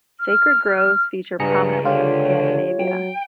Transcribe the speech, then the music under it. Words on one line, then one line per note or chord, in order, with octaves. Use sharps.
Sacred groves feature prominently in Scandinavia.
F6
C#2 G2 G#4 B4 A#5 C#7
D3 F4 G4 C#5
F#3 G5